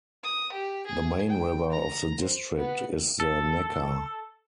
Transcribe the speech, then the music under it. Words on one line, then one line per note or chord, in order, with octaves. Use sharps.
The main river of the district is the Neckar.
D#6
G4
G#4
G5
A#5
C5
B3
A4